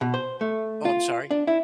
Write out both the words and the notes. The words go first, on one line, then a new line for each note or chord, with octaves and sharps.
Oh, I'm sorry
B2
C5
A3
F4
D4
E4